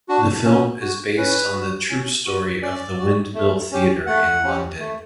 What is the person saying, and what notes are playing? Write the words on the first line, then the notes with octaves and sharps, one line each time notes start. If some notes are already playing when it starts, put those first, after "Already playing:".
The film is based on the true story of the Windmill Theatre in London.
D4 F#4
C#4
F#4
C#4 B4
F#4
C#4
F#4
C#4 D5
F#4
A3
C#4 G4
A3 F#5
C#4 G4
A3